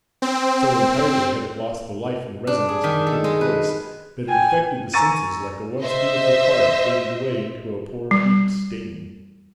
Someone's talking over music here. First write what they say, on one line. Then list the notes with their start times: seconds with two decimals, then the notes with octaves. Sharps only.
So entirely had it lost the life and resonance of the human voice, that it affected the senses like a once beautiful colour faded away into a poor weak stain.
0.22 C4
2.47 D4
2.69 G#4
2.84 D#3
3.07 A4
3.24 G#3
3.41 B4
4.29 G5 G#5
4.94 G#5 A#5 C#6 E6 A6 D#7
5.81 C5 D#5 E5
8.11 G3